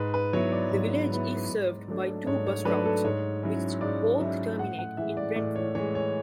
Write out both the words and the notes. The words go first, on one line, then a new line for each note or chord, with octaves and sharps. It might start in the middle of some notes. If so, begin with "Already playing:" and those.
The village is served by two bus routes which both terminate in Brentwood.
Already playing: G#2 B4
B4
F#3 B3 E4 C#5
D5
G#2
F#3 B3 E4
G#2
F#3 A3 D4
G#2 C#5
C#5
F#3 A3 D4 B4
A4
G#2 C#5
F#3 C#4 E4
G#2 D5
F#3 C#4 E4 E5
A2 F#5
F#5
E3 G#3 E5
D5
A2 D5
C#5
E3 G#3 C#5
C#5